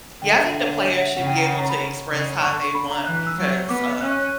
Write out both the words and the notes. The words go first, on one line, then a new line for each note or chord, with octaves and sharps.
Yeah, I think the players should be able to express how they want because, uh,
D3 G5
E5
E5
C#5
C#5
C#5
F#5
E5
C#3 F#5
G5
A#5
F#5
A#5
B5
C#3
D3 C#6
C#6
B5
A#5
E3 F#6
F#6
E6
F#3
B3 D6
C#4 F#6
F#6
F#6